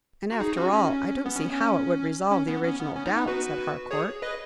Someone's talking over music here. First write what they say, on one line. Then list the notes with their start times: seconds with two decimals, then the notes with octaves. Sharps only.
"And, after all, I don't see how it would resolve the original doubt," said Harcourt.
0.32 F#4
0.40 D#4 G#4
0.57 C#4 F#4
0.73 C#4
1.26 B3
1.36 C#4
1.52 C#4
2.31 C#4
2.48 B3
2.64 C#4
2.80 B3
2.96 C#4
3.06 B3 D#4
3.16 B3 D#4
3.27 F#4 B4
3.91 G#4 C#5
4.22 B4 D#5